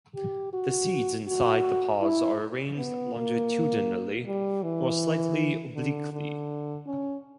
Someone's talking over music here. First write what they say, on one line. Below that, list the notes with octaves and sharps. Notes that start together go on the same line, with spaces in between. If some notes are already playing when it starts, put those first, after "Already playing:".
The seeds inside the pods are arranged longitudinally or slightly obliquely.
G4
F#4
F#4
E4
B3
A#3
G3
E3
D3
D3
C#4